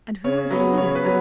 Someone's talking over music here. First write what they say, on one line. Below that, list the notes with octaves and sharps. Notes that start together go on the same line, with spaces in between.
And who was he?
C#3 C#5
F#3 B3
C#3 C#5
B4
F#3 B3